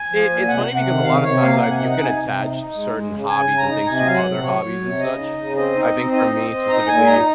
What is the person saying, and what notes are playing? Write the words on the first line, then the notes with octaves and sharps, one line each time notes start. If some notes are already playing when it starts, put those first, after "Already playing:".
It it's funny because a lotta times I've you can attach certain hobbies and things to other hobbies and such. I think for me, specifically,
Already playing: G#5
F3
A#2
C3 F#5
C3
F#5
D#3
C3 F5
C3 C#5
A#3 F5
C3 F#5
G#5
D#4 F#5
F#5
C3
G#5
C3
D#4
D#4
G#3
G#3
C#3
C#3 G#5
C#3
A#5
D#4
C3 G#5
D#5
F#3 F5
F#5
C3
F#3 C#5
F#3
C3
C#3 D#5
D#4
C#3
C4 D#5
D#4
D#5
C4
D#4 D#5
C4
C4
D#4 A#5
A#2 G#5
D#4 A#5